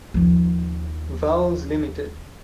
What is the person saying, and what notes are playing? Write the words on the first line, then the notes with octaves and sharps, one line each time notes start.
Vowles Ltd.
D#2 F3